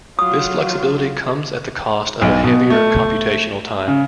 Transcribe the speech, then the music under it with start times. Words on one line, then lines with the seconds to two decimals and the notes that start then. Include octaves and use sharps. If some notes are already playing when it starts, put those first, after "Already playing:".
This flexibility comes at the cost of a heavier computational time.
0.19 F#3 F4 D#6
2.22 B1
2.44 B2
2.70 A3
3.88 C#3